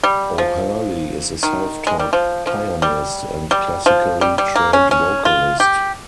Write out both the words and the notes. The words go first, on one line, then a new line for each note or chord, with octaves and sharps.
O'Hurley is a self-taught pianist and classically trained vocalist.
G3
F3
D#3
G#3
G3
F3
F3
G3
G3
F3
G3
G3
A#3
C#4
C#4
F4
G4